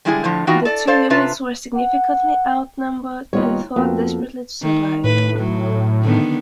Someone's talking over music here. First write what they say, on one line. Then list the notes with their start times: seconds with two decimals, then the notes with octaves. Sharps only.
The two units were significantly outnumbered and fought desperately to survive.
0.05 D3 G3 G#3 E4 F4 G#4
0.24 A2 D3 F3
0.47 E3 B3 D#4 F4 F#4 G5
0.65 A4 D5
0.87 A4 C5 D5 F5
1.10 C3 D4 F4 B4 E5
1.76 F#5
3.33 D#2 G3 B3 F4 C#5 D#5
3.76 F2 A#3 B3 F#4
4.62 D#3
5.04 A2 B4
5.39 F#3
6.03 D3 D#3 B3